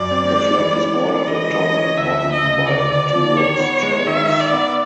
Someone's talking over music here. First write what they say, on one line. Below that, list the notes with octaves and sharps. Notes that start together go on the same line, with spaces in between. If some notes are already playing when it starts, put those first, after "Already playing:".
The flag is bordered at top and bottom by two red stripes.
Already playing: F#2 D5
C4
G#3
E3
C#4
G#3
E3 D#5
E3
C#4
D2 E5
F3
D#5
C#3
D2 D5
D2
F3
D#3 C#5
B3
G#3
D#3 E5
D#3
D5
B3